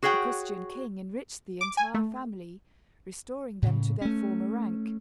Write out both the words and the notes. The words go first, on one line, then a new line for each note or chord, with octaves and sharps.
The Christian king enriched the entire family, restoring them to their former rank.
F#4 G#4 C#5 F#5 G5
D6
G#5
A3
A2 C#3
A3 C#4